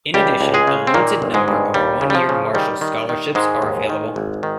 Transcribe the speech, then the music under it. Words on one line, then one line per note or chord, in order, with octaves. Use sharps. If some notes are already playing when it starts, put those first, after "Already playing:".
In addition, a limited number of one-year Marshall scholarships are available.
C#2 G3 G4
C#2
G#3 G#4
C#3
C4
A#2 D#3 A#3
G1
G#2 G#3
G2
D#2 G3
C#3
G3
F3
C#3
D#3 G3
D#3
D#3
G#2 D#3 G#3
D#2
D#3
G#1
D#3